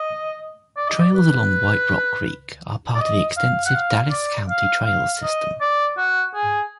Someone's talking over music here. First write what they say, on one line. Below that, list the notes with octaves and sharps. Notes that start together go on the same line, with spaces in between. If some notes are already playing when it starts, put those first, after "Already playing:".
Trails along White Rock Creek are part of the extensive Dallas County Trails System.
Already playing: D#5
D5
D#5
D5
B4
D5
D#5
F5
F#5
F5
D5
F5
F5
D#5
D5
F#4
G#4